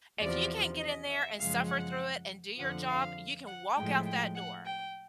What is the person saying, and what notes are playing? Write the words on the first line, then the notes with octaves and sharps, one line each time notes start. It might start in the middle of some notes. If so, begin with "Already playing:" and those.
if you can't get in there and suffer through it and do your job, you can walk out that door,"
E2 C3 F3 D5
D#5
E5
F#2 C#3 F3 G#3 F5
F#5
F2 D3 F3 F#5
F5
F#5
A2 F3 G#3 G5
G5
F#5
G5